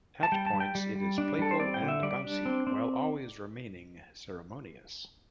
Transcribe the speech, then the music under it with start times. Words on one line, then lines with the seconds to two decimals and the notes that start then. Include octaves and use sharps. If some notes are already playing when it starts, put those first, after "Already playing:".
At points it is playful and bouncy, while always remaining ceremonious.
0.23 A5
0.32 G3 G5
0.46 A5
0.54 G3
0.60 G5
0.75 G3
0.96 G3
1.18 D4
1.39 G3 A4
1.51 C5
1.60 C4 D5
1.74 G5
1.82 D3
1.88 E5
2.03 G3 D5
2.24 D4
2.46 C4
2.67 C4